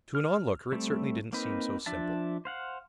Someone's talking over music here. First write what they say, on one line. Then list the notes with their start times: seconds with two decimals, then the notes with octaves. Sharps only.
To an onlooker it certainly didn't seem so simple.
0.15 F6
0.72 G3 A3 C4
1.33 A#3 C4 D#4 B4
1.86 F3 D4 E5 A5
2.45 C5 F5 F#5